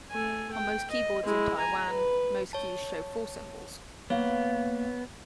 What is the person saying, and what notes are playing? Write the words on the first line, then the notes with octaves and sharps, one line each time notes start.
On most keyboards in Taiwan, most keys show four symbols.
A3 G#5
G5
D#5
G#3 E4
G#5 A#5
B4
C#5 A5
A#3 B3 C#5 F5